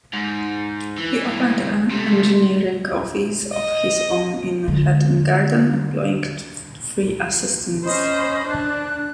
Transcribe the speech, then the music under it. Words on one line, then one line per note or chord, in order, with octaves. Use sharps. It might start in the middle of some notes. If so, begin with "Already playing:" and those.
He opened an engineering office of his own in Hatton Garden, employing three assistants.
G#2
E3
G2 E3
C3 A3
D#5
D3 G#3
C#4 C5 D#5 B5 D#6
D4 F#6